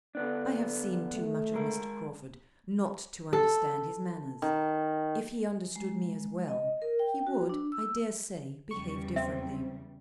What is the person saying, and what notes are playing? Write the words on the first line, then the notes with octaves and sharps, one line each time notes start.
I have seen too much of Mr. Crawford not to understand his manners; if he understood me as well, he would, I dare say, behave differently.
D3 B3 D4
A3
G#3 A#4
A4
D#3
G#3
D#5
A#4
G5
F#4
D4
E6
E2 C#3 G3 C#6
C4 E5